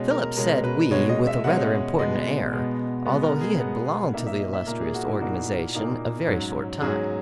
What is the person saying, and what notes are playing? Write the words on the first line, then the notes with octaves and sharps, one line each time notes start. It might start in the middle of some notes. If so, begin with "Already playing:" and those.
Philip said "we" with a rather important air, although he had belonged to the illustrious organization a very short time.
Already playing: B2 G#3 C#4
A#4
B2 G#3 C#4 A#4
B4
B2 G#3 C#4 C#5
D#5
E5
B2 G#3 C#4 F#5
B2 G#3 B3 D#5
B2 G#3 B3
B2 G#3 B3
A#4
G#4
B2 G#3 B3 F#5
A#2 A#3 D#4 E5
E5
D#5
E5
A#2 A#3 D#4 A#4
G#4
F#4
E4
A#2 A#3 D#4 F#4
A#2 A#3 D#4
G#2 F#3 C#4
G#2 F#3 C#4 G#4